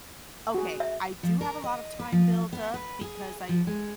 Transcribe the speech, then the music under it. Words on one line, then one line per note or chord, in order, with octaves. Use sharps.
Okay, I do have a lot of time built up, because I
F#4 G#4
E5
F3
A#4
D#5
B4
F3
B3
B4
G#4
F3
G#3